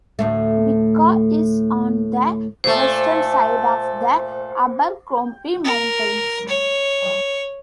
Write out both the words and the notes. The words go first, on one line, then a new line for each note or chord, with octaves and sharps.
Bigga is on the western side of the Abercrombie Mountains.
D2 A2 A3
A#2 A3 C5
A#4
C#5